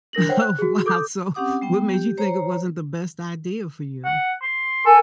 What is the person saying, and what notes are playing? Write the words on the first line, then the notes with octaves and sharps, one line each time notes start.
Oh, wow, so, what made you think it wasn't the best idea for you?
D4 A#4 A#6 F#7
C5 C#5 F#5 G5
F#6
F#4 G#4
A4 D6 D#6 G6
C4 C#4 G4 F#5 D6 D#6
G3 B3 G5
G4
C5 C#5 A#5
F#5
C6
A4 A#4 G#5